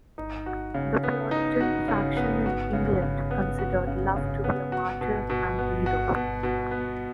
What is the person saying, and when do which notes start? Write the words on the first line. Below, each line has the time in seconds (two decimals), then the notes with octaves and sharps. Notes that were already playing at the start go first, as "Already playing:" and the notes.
The Puritan faction in England considered Love to be a martyr and hero.
0.18 D#4
0.46 F#4
0.74 C#3
1.03 B3
1.31 D#4
1.61 F#4
1.88 C#3
2.16 B3
2.46 F#4
2.73 C#3
3.02 C#3
3.31 B3
3.59 F#4
3.87 C#3
4.16 C#3
4.44 B3
4.72 F#4
5.01 B2
5.30 B2
5.59 B3
5.86 F#4
6.15 B2
6.43 B2
6.71 B3